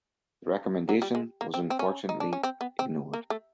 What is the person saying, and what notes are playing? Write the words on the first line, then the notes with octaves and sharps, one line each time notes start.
The recommendation was unfortunately ignored.
F#3
G3
G#3
A#3
C4
C4
C#4
D#4
D4
C#4
C4
B3
C4
A#3
A3